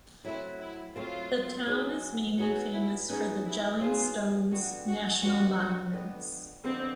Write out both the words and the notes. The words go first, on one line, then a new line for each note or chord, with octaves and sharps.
The town is mainly famous for the Jelling stones, national monuments.
F#3 A3 C4 E4
E4
F#3 A3 C4 F4
F#3 B3 D#4 G#4
F#3 B3 D#4 F#4 G#4
E4
F#3 B3 C#4 D#4 G#4
E4
F#3 B3 D#4 F4 G#4
F2 D3 G3 B3 F#4
F#4
F2 D3 G3 B3 F#4
F2 D3 G3 B3
F2 D3 G3 B3 C4